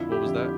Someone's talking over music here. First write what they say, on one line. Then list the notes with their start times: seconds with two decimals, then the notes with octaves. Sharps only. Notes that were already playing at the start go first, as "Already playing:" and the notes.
What was that?
Already playing: F2 D3 F3 E4
0.12 G4
0.26 F2 D3 F3